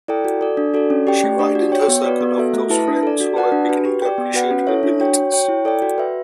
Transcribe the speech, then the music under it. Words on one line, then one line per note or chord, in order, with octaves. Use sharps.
She widened her circle of those friends who were beginning to appreciate her abilities.
E4 A4 D5 G5
F#4
A4 D5
D4
F#4 A4 D5
C#4
G4 D5 G5
A3
D4 G4 D5
F#4
C#5 G5
B3
F#4 B4 D5
B3
F#4 A4 E5
A3
E4 B4 E5 A5
D4
A4 D5
F#4
B4 D5 F#5 A5
D4
F#4 B4
G4
D5 G5
B3
F#4 B4 F#5
C#4
E4 A4 C#5 E5
D4
F#4 C#5 G5
F#4
C#5 G5
E4
A4 D5 G5
F#4
B4 E5